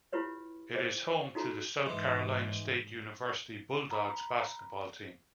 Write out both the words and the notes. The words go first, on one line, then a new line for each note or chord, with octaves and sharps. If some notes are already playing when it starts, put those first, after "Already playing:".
It is home to the South Carolina State University Bulldogs basketball team.
E4 F4 G4 B4 C#5
G#4 C5
D#4 F4 F#4 A4 A#5
G#2 E3 G#3
A#5 B5